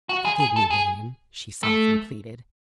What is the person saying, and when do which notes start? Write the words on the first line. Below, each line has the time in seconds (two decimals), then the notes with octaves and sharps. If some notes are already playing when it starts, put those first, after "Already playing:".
"Forgive me, William," she softly pleaded.
0.09 F#4
0.25 G#4
0.40 G#4
0.56 A4
0.71 G#4
1.63 A3